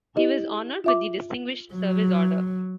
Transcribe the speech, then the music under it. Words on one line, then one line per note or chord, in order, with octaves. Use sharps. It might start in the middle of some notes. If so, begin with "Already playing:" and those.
He was honoured with the Distinguished Service Order.
E4 G4 D#5
F4 E5 D6
F#3